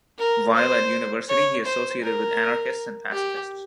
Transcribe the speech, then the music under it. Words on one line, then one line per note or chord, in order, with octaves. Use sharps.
While at university, he associated with anarchists and pacifists.
A#4
C5
C#5
C5
A#4
G4